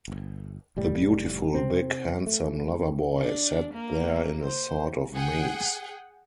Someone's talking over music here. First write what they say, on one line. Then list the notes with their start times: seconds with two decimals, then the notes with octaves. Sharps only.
The beautiful, big, handsome lover-boy sat there in a sort of maze.
0.08 G1
0.77 F1 A2 G3
1.54 C3 C4
2.26 A3
3.20 D4
3.74 A#3
4.43 C5
5.15 G#4 F#5 G5